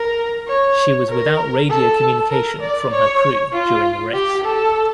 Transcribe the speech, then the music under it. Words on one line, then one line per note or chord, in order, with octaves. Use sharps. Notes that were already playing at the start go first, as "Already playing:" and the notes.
She was without radio communication from her crew during the race.
Already playing: A#4
C#5
A#4
A4
A#4
D5
C#5
F4
G4
A4